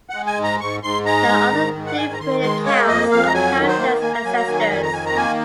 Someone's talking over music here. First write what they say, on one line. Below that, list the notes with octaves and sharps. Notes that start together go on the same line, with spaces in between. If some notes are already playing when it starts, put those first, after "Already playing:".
There are other differing accounts of Halfdan's ancestors.
G#3 F#5
G#5
G#2
A#5
G#2 C#6
G#2 C6
G#3 A#5
G#2
D#3
G#2
F#5
D#3 G#5
A#5
D#3 C6
G#3 C6
A#3 C#5
F2 D#5
F2 F5
A#5
F#3 G#5
D#3
C5
A#3
A#3 G#5
A#5
F#3 G#5
A#5
D#3 G#5
A#5
F2 G#5
A#5
D#3 G#5
A#5
A#3 G#5